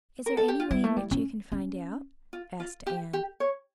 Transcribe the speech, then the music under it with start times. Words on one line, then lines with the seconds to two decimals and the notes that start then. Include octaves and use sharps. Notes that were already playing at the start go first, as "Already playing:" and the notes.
"Is there any way in which you can find out?" asked Anne.
0.26 A#4
0.37 A4
0.48 G4
0.60 F4
0.71 G3 E4
0.84 A3
0.96 G3
1.11 C#4
1.52 C#4
2.33 F4
2.60 F4
2.87 G4
3.13 G4
3.40 C#5